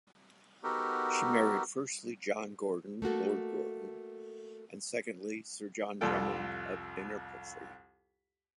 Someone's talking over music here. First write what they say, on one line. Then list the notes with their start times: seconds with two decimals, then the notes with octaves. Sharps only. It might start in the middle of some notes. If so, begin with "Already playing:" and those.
She married firstly John Gordon, Lord Gordon, and secondly Sir John Drummond of Innerpeffry.
0.64 B3 D#4 F#4 G4 A4 A#4
3.02 A3 A#3 F#4 A4
6.01 C2 F2 G3 F4 A4 G5